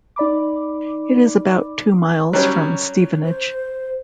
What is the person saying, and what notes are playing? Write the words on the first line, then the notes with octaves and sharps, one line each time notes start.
It is about two miles from Stevenage.
D#4 D5 B5 D6
F#3 G3 C#4
C5